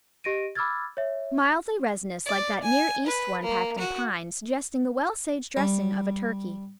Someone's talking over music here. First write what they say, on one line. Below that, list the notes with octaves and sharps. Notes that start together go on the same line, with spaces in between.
Mildly resinous like that Near East one packed in pine, suggesting the well-saged dressing of a turkey.
G4 D#5 A#6 D7 D#7
B5 D6 E6 F6 G#6 A6
C#5 E5
D5
G#5
B4
A#3
F#4
G3